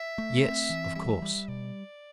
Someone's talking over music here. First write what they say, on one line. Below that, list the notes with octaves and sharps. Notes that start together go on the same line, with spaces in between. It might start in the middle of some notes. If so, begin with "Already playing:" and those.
"Yes; of course."
Already playing: E5
A3
C4
E3
G3 E5
G3
B2 D5